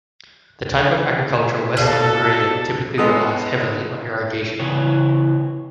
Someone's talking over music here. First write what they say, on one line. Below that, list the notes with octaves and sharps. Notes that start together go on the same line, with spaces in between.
The type of agriculture west of the meridian typically relies heavily on irrigation.
B2 G3 A#3 A4
G#3 B3 A4 D#6
C#3 E3 C#5